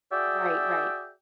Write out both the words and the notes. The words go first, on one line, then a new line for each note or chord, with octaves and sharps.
Right, right.
F#4 G#4 D5 E5 G5